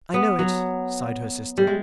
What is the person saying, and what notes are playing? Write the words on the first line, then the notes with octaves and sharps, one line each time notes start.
"I know it," sighed her sister.
B3
F#3
G3
G#3